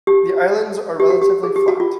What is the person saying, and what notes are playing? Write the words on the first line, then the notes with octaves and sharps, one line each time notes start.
The islands are relatively flat.
G4
G4
F#4
G4
G#4
G4
F#4
F4